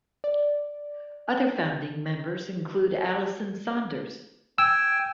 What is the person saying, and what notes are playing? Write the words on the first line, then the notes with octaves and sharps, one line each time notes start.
Other founding members include Alison Saunders.
D5
G5 G#5 E6